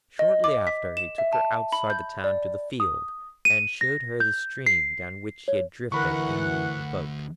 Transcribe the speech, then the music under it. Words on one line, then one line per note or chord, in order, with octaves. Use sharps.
Shortly after he took her outside the town to the field, and showed her the stream down which he had drifted in the little boat.
D#5
D6
B6
E7
E5
A5
B5
G6
D5
D#6
D#7
A#6
G6
C7
C#5
D2 E3 A#4 F#5 B5 C#6